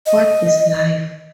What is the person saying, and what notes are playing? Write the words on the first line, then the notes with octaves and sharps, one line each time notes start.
What Is Life?
D#5